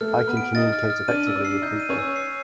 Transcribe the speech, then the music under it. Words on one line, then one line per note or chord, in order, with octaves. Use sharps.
I can communicate effectively with people.
A3 A4 F6
F6
B3 B4
D7
D#4 D#5 A6
F6
F6
D4 D5 D#7
E6
D4 D5
C7
D#4 D#5 G6
D#7
C#4 C#5
E6
C7